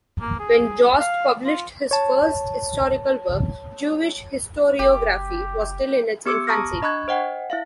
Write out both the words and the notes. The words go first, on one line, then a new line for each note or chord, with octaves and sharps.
When Jost published his first historical work, Jewish historiography was still in its infancy.
A#3
G#4
F5
F4
C#5 A5
F#1 G4
B3 G4 D6 E6 G#6 C#7
A5 A#5 C#6 D#6 F6 A#6
D4 D#5 B5 C#6 F#6 G#6
C5 D#5 F#5 G5
E4 E5 F5